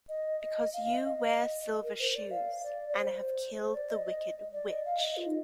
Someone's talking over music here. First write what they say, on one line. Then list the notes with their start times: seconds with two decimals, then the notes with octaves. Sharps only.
Because you wear silver shoes and have killed the wicked witch.
0.09 D#5
0.41 D#5
0.73 F5
0.84 F5
0.94 D#5
1.83 A#4
2.00 C5
2.16 D5
2.31 F5
2.63 D5
2.90 D5
2.94 C5
3.59 C5
3.74 D5
3.90 D#5
4.06 D#5
4.53 D5
4.69 D#5
4.85 F5
5.01 D#5
5.17 F4
5.26 D#4